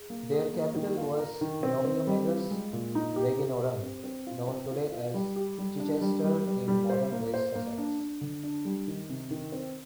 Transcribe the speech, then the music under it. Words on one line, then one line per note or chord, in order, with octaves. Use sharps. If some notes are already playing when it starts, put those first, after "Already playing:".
Their capital was "Noviomagus Reginorum", known today as Chichester in modern West Sussex.
Already playing: G#4
A#3
G#4
A#3
D#3
F4
A#4
D#3
C4
C4
G3
F4
G#3
A#2
D#4
G4
G4
G4
C4
C4
F4
C4
F4
F4
G3
G4
G3
D4
G3
G3
G3
G3
C5
A#3
C5
A#3
D4
D4
D3
D4
G3
D#3
C3
D#3
C4